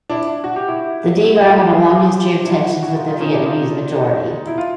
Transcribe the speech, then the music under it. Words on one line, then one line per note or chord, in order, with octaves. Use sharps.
The Degar have a long history of tensions with the Vietnamese majority.
D4 E4
F#4
G4
E4 F#4
G#4
F4 G4
F#4 G#4
G#4
F4 G4
D4 E4
F4
E4 F#4
E4 F#4
D#4 F4
D#4 F4
C#4 D#4
D4 E4
D#4 F4
E4
F4